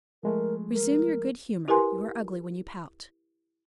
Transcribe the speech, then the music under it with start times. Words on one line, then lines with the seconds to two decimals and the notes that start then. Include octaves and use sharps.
"Resume your good-humor,--you are ugly when you pout."
0.23 F3 G#3 A3 A#4
0.72 A#4
1.68 E4 G4 A#4 B4 G#5 C6